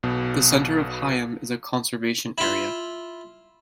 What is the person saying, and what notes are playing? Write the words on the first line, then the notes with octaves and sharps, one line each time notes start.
The centre of Higham is a conservation area.
B1 B2
E4 F4